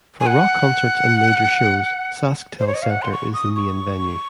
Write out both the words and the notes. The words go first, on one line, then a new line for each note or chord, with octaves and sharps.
For rock concerts and major shows, SaskTel Centre is the main venue.
G#5
F#5
C5
C#5
D#5
F5
F#5
C6
C#6
D#6
C#6